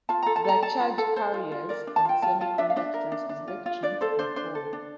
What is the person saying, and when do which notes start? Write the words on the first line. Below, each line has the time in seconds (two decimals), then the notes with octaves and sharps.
The charge carriers in semiconductors are electrons and holes.
0.09 F4 A5
0.22 A4 A#5
0.36 A5
0.44 A4 A#5
0.63 A4 A5
0.80 F4
0.98 A4
1.16 A4 C5
1.34 F4
1.52 F4
1.69 A#4 D5
1.87 D4
1.96 A5
2.05 F4 G5
2.22 F4 A5
2.41 F4 A5
2.58 D4 E5
2.70 F5
2.76 D4 E5
2.94 A#4
3.12 D4
3.29 D4
3.48 F4
3.66 F4
3.83 D4 D5
4.01 A4 C5
4.19 D4 C5
4.36 D4 C5
4.55 A4
4.73 D4